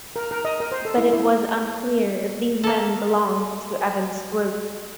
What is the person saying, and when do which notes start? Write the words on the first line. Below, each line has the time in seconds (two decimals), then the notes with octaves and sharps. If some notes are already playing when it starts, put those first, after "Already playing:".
But it was unclear if these men belonged to Evans' group.
0.16 A#4
0.31 A#4
0.45 D#5
0.60 A#4
0.72 C5
0.85 A4
0.98 E4
1.13 E4
2.63 A#3 A4